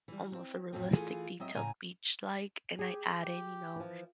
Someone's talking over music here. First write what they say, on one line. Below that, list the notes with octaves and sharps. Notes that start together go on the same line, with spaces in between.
almost a realistic detailed beach, like, and I add in, you know
E3 G3
C4
F2 A2 F3 A3 C4
E3 A3 F4 G#4
F#3 C4 D#5 E5
A2 C#3 G#5 A#5
G4 G#4
G4
E3 F3